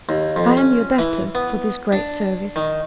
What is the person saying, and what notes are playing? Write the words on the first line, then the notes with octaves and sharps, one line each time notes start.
'I am your debtor for this great service.'
D#2
F2
C#4
E3
B3
D4
D#3